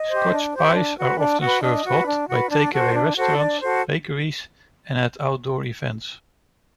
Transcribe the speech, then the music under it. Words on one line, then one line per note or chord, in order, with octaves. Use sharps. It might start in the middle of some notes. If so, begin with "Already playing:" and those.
Scotch pies are often served hot by take-away restaurants, bakeries and at outdoor events.
Already playing: D#5
G4 C5
D4
G4 C5
D4
F#4 B4
D4
F#4 B4
D4 D#5
F#4 B4
D4
F#4 B4
D4 D5
F#4 A4 C5
D4
F#4 A4 C5
D4 D5
F#4 A4 C5